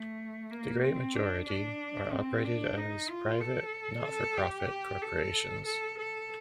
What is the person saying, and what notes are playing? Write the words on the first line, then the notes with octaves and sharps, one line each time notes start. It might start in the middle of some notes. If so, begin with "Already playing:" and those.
The great majority are operated as private not-for-profit corporations.
Already playing: A3
A#3
C4
D4
D4
C4
D4
D#4
F4
A4
A4
G4
A4
A4
A4